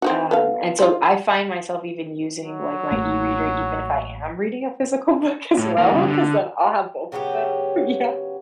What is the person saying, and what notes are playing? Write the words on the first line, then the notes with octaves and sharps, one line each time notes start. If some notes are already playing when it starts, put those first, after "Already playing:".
um, and so I find myself even using, like, my e-reader, even if I am reading a physical book, as well, 'cause then I'll have both of them. Yeah,
C4 D#4 F#4
B3 A4 F5
F4 C5
F#3
A1 A3 A#3
A2
E3 A#3
G2 C#3
D3
C#3 F#3 B3 G4